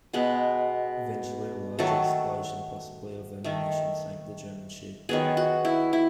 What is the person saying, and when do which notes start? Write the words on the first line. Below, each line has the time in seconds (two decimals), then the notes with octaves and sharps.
Eventually a large explosion, possibly of ammunition, sank the German ship.
0.13 B2 G#3 B3
1.79 D#3 F#3 A3 A4
3.44 D#3 A3
5.09 D#3 F#3 B3 G#4
5.37 F#4
5.65 E4
5.93 E4